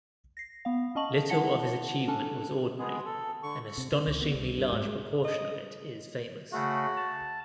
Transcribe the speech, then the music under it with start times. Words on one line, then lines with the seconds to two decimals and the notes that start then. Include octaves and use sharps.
Little of his achievement was ordinary; an astonishingly large proportion of it is famous.
0.37 A#6 C7
0.65 B3 F5
0.95 B3 C#4 D#5 A5 C#6 F#7
1.29 E4 F#5 A5 C#7 F7 G7
2.08 C#4 D4 A4 A5
2.79 G#3 B3 G#4
3.06 A4
3.43 D3 C#6
3.78 C3
3.92 C#3
4.07 C#2
4.22 B3
4.35 C2
4.58 G2
4.72 G#2
4.85 G#3
5.25 D#5
6.53 C#3 A3 F#4
6.97 A5